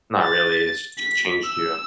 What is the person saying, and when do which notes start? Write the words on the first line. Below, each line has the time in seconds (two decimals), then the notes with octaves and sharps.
not really, it's ch changed you?
0.23 A6
0.98 B6
1.44 E6